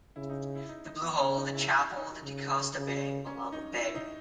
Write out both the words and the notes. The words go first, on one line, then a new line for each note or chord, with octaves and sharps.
The Blue Hole, the Chapel, the Decosta Bay, Malama bay.
C#3 E4
D#4
E4
D#4
D#4
B3
C#3 C#4
D#4
E4
D#4
C#3
C#3
C#4
D#4
E4
D#4